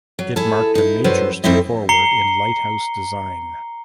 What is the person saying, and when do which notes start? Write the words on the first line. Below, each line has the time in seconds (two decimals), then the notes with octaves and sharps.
It marked a major step forward in lighthouse design.
0.19 F#3
0.36 E4 G#4 A4
0.75 D#4 E4
1.04 F#2 F#3 B4 C5
1.44 F2 A3 C4 D#4 E4 D#5
1.89 A#5 C7 C#7 G7